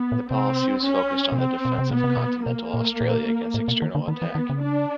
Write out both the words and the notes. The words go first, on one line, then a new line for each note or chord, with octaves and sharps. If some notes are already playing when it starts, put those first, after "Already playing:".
The policy was focused on the defence of continental Australia against external attack.
Already playing: B3
A#2
C3 C4
C#4
B2
C3 C4
B2
C3
B2 B3
C3
B2
B2 A#3
A#2
A#2
A2
B2
D#3
D3
D#3 B3
E3
D#3
C#3
D4